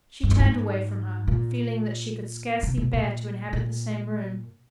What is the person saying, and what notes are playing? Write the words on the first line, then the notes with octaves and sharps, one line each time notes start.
She turned away from her, feeling that she could scarcely bear to inhabit the same room.
G#2
G2
G#2
A#2
C3
B2
A#2
A#2